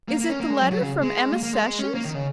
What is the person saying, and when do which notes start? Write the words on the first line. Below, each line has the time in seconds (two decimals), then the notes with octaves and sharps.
Is it the letter from Emma Sessions?
0.08 A#3
0.19 A#3
0.29 C#4
0.40 A#3
0.50 G#3
0.60 F#3
0.71 F#3
0.81 C#3
1.02 G#3
1.32 A#3
1.43 A#3
1.53 G#3
1.63 G#3
1.79 C#4
1.94 A#3
2.05 D#3
2.14 C#3